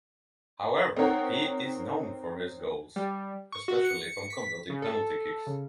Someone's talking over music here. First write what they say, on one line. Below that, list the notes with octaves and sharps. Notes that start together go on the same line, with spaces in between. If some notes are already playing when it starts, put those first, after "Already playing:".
However, he is known for his goals, especially from converting penalty kicks.
C4 D#4 A#4 C#5 F#5
G3
C#6
F#4
C#7
B6
C#3
A4
C#3